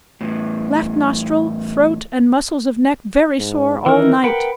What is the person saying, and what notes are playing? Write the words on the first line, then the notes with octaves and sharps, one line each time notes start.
Left nostril, throat and muscles of neck very sore all night.
E2 A2
G#2
D#3 E3 A#4
A#4 B4 F#5 G5